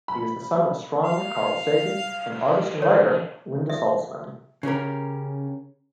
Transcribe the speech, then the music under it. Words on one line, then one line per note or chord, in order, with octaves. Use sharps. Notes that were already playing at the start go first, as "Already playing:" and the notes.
He is the son of astronomer Carl Sagan and artist and writer Linda Salzman.
B5
F5
C#5
E5
C#3 C#4 G4 A#4